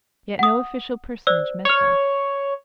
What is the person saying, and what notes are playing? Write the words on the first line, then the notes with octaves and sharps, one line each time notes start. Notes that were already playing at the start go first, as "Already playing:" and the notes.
Yet no official personage met them.
F#5 D#6
C5 D5 E6
C#5 F6 C#7